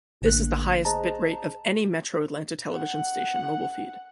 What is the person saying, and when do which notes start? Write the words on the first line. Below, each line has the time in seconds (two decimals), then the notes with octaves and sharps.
This is the highest bitrate of any Metro Atlanta television station mobile feed.
0.22 A1 D3 A3 A#3 F#6
0.85 G#4 C5 D#5 A5 A#5
2.73 F#5